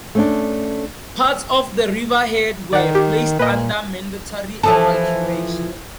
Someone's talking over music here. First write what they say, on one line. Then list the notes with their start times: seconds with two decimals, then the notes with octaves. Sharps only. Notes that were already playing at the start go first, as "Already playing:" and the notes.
Parts of Riverhead were placed under mandatory evacuation.
0.15 A3 C#4 D4
2.73 D#3 D5 F#5
2.95 G4
3.39 A#2 B4 D#5
4.63 E3 F3 A4